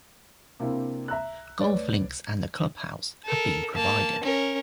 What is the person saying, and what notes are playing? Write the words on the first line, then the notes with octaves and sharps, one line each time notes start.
Golf links and a clubhouse have been provided.
C3 A#3 C4 D4 E4
E5 A#5 E6 F#6
A3 B4 C#5 D5
A4 A#4
A#3 A5
C#4 A#4